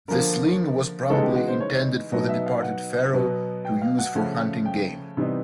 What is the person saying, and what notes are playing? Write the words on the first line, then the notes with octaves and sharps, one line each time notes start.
The sling was probably intended for the departed pharaoh to use for hunting game.
D3 F3 A#3 A#4
C#3 E3 G#3 B3 D#4 A4
G4
F#4
C5
C#5
B2 F#3 B3 D#4 D#5
E5
F5
F#5
B2 F#3 B3
G5
F5
F#5
C#3 F3 A3 C#4
G5
C3 E3 G3 B3 D#4